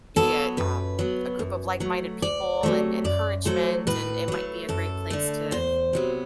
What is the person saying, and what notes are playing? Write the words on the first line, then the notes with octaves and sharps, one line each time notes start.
yet, um, a group of like-minded people and encouragement and it might be a great place to
F#3 B3 A4
F#2 B4
F#3 B3
F#2
F#3 A3
D2 D5
C3 F#3 A3
F#2 D5
F#3 A3 C5
A2 B4
F#3 A3
F#2 A4
D3 A3
E2 C5
C3 F#3 B3